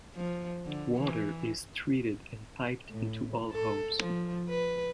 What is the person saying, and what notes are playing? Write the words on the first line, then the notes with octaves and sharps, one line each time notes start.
Water is treated and piped into all homes.
F3
D3
E3
A2
A4
F3
B4